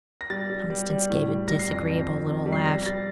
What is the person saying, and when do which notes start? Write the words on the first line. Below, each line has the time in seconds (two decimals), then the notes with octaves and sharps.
Constance gave a disagreeable little laugh.
0.21 A#6
0.30 G3 A6
0.50 G3
0.70 G3
0.90 G3
1.10 A2
1.28 G3
1.48 G3 A#6
1.59 C7
1.68 F2 A#6
1.88 F2
2.08 F2
2.27 C3
2.46 G3
2.53 C7
2.65 G3 A#6
2.86 G3 A6